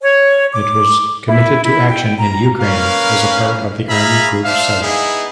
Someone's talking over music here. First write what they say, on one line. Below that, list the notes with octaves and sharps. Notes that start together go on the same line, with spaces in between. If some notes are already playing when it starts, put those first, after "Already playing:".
It was committed to action in Ukraine as a part of Army Group South.
C#5
D6
E4
E4
G5
A#5
A#3 C#4 A#4 B4 F5
G#4 E5 F5 A#5 B5
D4 C5 D5 E5 F5
B3 D#4 E4 G#4